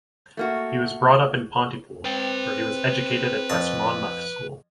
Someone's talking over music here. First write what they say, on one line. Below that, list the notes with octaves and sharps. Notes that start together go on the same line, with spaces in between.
He was brought up in Pontypool, where he was educated at West Monmouth School.
A3 A#3 F#4
C4 B4 G5
F2 A5